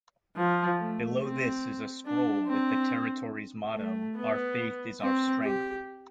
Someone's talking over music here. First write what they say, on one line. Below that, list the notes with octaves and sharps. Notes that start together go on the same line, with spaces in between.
Below this is a scroll with the territory's motto, "Our faith is our strength".
F3
A3
C4
D4
C4
A3
B3
C4
G4